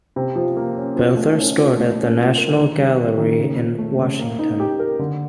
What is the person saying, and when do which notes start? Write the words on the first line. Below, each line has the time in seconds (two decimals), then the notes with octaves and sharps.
Both are stored at the National Gallery in Washington.
0.16 C3
0.36 F3
0.57 A#3
0.77 C#4
0.96 F3
1.17 A3
1.37 C#4
1.57 F3
1.77 A3
1.97 C#4
2.17 F4
2.38 A#4
2.57 D#3
2.78 G3
2.97 C4
3.18 D#3
3.39 C#3
3.58 F3
3.78 A3
3.98 C#3
4.19 A#3
4.39 D#4
4.60 G4
4.79 A#4
4.99 D3